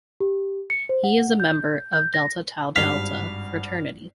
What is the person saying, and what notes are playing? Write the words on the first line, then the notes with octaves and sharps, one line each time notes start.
He is a member of Delta Tau Delta fraternity.
G4
C#7
C5
F#5
G6
G6
A#6
G#1 G2 F5 B6